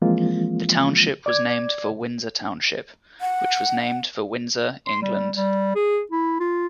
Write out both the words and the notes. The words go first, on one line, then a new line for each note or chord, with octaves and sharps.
The township was named for Windsor Township, which was named for Windsor, England.
E3 F3 G#3 A#3 C4 F4
D5 D6 G#6
F#5
C6
G3
G3
G#4
E4
F4